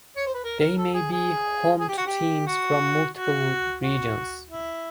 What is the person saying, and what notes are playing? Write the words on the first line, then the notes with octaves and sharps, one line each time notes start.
They may be home to teams from multiple regions.
C#5
C5
B4
A#4
A#4
A4
G#4
G#4
G#4
G4
F#4
G4
F#4
F#4
F#4
E4